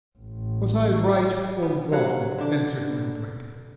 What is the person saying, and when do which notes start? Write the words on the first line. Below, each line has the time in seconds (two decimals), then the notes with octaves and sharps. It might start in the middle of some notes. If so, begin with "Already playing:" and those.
"Was I right or wrong?" answered Lamp-Wick.
0.18 A1
1.62 B3
1.92 C3 F#3 F5 F#5
2.38 D3 D4